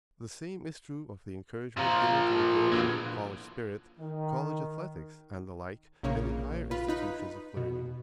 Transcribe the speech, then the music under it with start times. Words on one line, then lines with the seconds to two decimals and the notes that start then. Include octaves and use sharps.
The same is true of the encouragement given to the growth of "college spirit," college athletics, and the like, in the higher institutions of learning.
1.77 A#2 F3 F4 A#5
2.32 A3 G#4 D5
2.72 D3 F#3 A#3 B3 E4
4.00 D#3
6.03 A#1 C#3 A#3 C#5
6.71 F4 B4
6.89 D#4 B4
7.57 B2